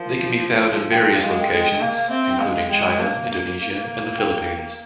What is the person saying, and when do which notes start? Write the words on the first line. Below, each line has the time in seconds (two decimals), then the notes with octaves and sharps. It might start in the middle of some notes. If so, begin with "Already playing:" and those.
They can be found in various locations, including China, Indonesia, and the Philippines.
Already playing: F3 A#4
0.62 C5
0.92 G5
1.21 G#3 F5
1.41 G5
1.51 G#3
1.61 G5
1.81 A#3 F5
2.11 C4 E5
2.30 G5
2.40 G#3 F5
2.70 G#3 G5
2.99 A#3 F5
3.29 A#3
4.18 G5